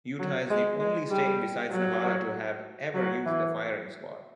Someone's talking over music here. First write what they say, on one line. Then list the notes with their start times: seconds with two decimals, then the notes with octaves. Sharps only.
Utah is the only state besides Nevada to have ever used the firing squad.
0.20 F#3
0.50 G#3
0.80 G#3
1.10 G3
1.72 F#3
2.94 F#3
3.26 E3